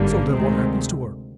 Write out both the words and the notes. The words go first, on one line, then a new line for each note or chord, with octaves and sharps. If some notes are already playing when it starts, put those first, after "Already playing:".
So then what happens to her?
Already playing: G#1 G2 D3 G3 A#3
D2 C3 D#3 G#3 C4